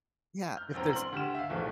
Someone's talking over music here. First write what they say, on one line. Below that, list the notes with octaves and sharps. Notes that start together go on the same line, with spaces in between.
Yeah, if there's
F6 G6
E1 A1 C4 A#5
C6 F#7
D2 G4 F6 E7
E5 F5
D1 B1 E2 B2 F3 A3